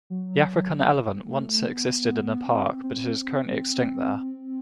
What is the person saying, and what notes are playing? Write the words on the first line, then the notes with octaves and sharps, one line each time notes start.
The African elephant once existed in the park but is currently extinct there.
F#3
A3
B3
C4
C4